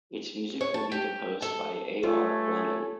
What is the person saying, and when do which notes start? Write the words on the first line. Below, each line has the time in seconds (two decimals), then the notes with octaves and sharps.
Its music will be composed by A. R. Rahman.
0.61 C#5
0.74 A5
0.92 G4
1.42 A4
2.04 A3 F4 A4 C#5 G#5